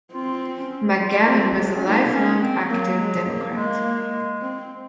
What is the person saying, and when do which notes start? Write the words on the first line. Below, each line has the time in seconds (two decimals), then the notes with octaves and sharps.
McGavin was a lifelong active Democrat.
0.13 C4 F4
0.56 C#4
0.99 F4
1.27 C4
1.56 G#3
1.77 C#4
1.84 A#3 D#4
2.13 C#4
2.41 C4
2.70 F#3 A#3
2.99 G#3
3.28 A#3
3.56 G#3 A#3
4.42 C4